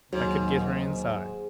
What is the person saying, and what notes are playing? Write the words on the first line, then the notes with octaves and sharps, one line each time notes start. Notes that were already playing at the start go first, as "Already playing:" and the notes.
I could get her inside.
D#2 G#2 D#3 F#3